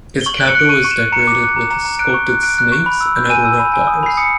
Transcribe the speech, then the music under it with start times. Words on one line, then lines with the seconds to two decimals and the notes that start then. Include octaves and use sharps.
Its capital is decorated with sculpted snakes and other reptiles.
0.21 G7
0.26 C#6 F#7
0.37 D7
0.40 F#6
0.48 C#7
0.55 F#6 D7
0.69 C#6 D#7
0.84 C#6
0.91 E7
0.99 F#6
1.12 A#5 C#7
1.27 D6
1.43 F#6
1.56 A#5
1.70 A#5
1.85 A#5
1.99 F#6 D7
2.14 C#6
2.29 F#6
2.43 F#6 D7
2.58 F#6
2.72 C#6
2.86 B5
3.01 E6
3.16 G6
3.30 G#5 D#7
3.45 E6
3.59 B5
3.74 G#5
3.87 D#6
4.03 B5 C7
4.17 D#6 C#7